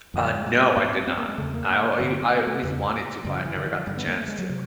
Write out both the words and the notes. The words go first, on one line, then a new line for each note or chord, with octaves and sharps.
Uh, no, I did not, I al I always wanted to, but I never got the chance to.
F2 D3 D#3
G3
G#3
G#2 A#3
C4
C4
A#3
G#3
E2 C#3 A3
A#3
G2 D3 B3
C4
B3
A#3
A3
E2 C#3
F#2 C#3 G3
F3
E3
D3
D#3
F3
G2 D3 G3
B3
A#3
A3
G#3
F#3
C3